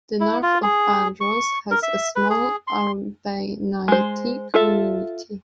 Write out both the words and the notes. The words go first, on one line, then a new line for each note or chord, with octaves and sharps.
The north of Andros has a small Arvanite community.
E4
F4
G#4
C#6
A#4
E5
B4
G#4
C6
G#3 C5
F4 A4 E5